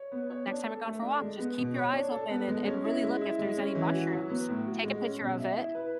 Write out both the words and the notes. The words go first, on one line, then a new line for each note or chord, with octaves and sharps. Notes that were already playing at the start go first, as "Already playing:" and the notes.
n next time you're going for a walk, just keep your eyes open and and really look if there's any mushrooms, take a picture of it,
Already playing: C#5
B3
C#5
D4
A4
A3
D4
G#3
B3
B2
C#5
D4
A4
B3
G#3
C#4
E4
G#3
E4
G#3
C#4
E3
F#4
F#3
B3
A2
F#4
G#3
C#4
B2
E5
E4
B4